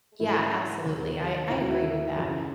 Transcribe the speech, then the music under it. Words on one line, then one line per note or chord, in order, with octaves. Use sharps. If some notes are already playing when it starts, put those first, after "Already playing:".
Yeah, absolutely. I I agree with that.
G#2 E3 E4
D#2 D#3
D#2 D#3 E4
F#4
E4
F#2 C#3 E3